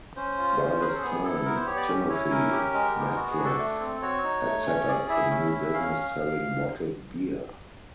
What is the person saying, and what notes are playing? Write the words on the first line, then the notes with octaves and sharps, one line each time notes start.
By this time Timothy Matlack had set up a new business selling bottled beer.
C#4 C5
F4
C#4
G#4 B4
A#4
A4
B3 G#4
E4 A4
B3 A#4
C5
G4 C#5
D5
C#4
E4 C#5
C#4 A#4
G4
G#3
B3
F#4
G#4
D4
A4
A3
C4
F#4 C#5
D#4
A3
C#4
G#4 D5
E4 E5
C#4
E4
C#4 F5